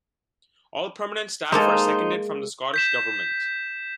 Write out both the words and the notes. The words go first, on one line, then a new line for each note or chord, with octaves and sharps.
All permanent staff are seconded from the Scottish Government.
G#3 A#3 D#4 A4 C5
G6 B6 E7